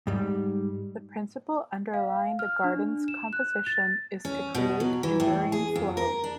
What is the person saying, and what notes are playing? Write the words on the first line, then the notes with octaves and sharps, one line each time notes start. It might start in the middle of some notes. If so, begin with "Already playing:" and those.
The principle underlying the garden's composition is to create enduring flow.
G#2 G3
F5
F6
D4
E7
F#6
A6
C#4
B2
F#3
E3
A2
G#4
F2
A#4
D4